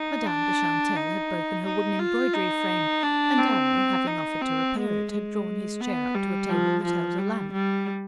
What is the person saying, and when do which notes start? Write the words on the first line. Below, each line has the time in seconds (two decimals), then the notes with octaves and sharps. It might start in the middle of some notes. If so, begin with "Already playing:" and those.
Madame de Chantelle had broken her wooden embroidery frame, and Darrow, having offered to repair it, had drawn his chair up to a table that held a lamp.
Already playing: D#4
0.26 D4
0.96 D#4
1.65 D#4
1.99 F4
2.33 D#4
3.03 D4
3.38 C4
4.07 D#4
4.41 C4
4.76 G#3
5.11 G#3
5.80 B3
6.15 G3
6.49 F3
6.83 F3
7.18 G3
7.53 G3